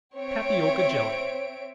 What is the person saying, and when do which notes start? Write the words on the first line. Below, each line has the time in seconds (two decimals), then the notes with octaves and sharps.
Tapioca Jelly.
0.17 C4 C#5 E5 D7